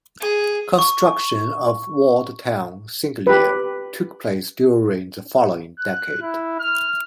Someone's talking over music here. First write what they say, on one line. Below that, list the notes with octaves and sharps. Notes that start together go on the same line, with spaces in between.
Construction of walled town Senglea took place during the following decade.
G#4
C#6
G4 B4
F#6
E4
F6